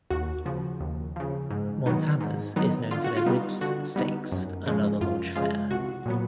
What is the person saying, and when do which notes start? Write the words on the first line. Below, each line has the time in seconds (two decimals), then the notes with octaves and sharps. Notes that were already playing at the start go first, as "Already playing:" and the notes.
Montana's is known for their ribs, steaks and other lodge fare.
0.10 D#2 F#4
0.46 C#3 F3
0.80 D#2
1.16 C#3 F3
1.50 G#2
1.86 D#3 F#3 B3 D#4
2.21 G#2
2.56 D#3 F#3 B3 D#4
2.91 D3 F4
3.04 F#4
3.17 F4
3.26 G3 B3 D#4
3.61 D3 F#4
3.96 G3 B3 D#4
4.32 F#2
4.66 C#3 F3 G#3
5.01 F#2 F4
5.36 C#3 F3 G#3 F4
5.71 C2 F#4
6.06 A#2 F#3 B3